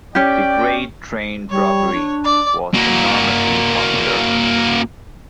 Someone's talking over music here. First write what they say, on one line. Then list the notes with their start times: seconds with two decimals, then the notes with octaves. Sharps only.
"The Great Train Robbery" was enormously popular.
0.15 C#4 G4 D5 G5
1.50 G3 C#5
1.93 D4
2.24 D5
2.74 A#3 F#4